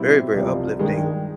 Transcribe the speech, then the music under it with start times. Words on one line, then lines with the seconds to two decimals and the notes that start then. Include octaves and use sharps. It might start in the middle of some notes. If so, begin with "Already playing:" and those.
very, very uplifting,
Already playing: B2 G3 C4 E4
0.33 C2 C3 F3
0.79 G2 D#3 G#3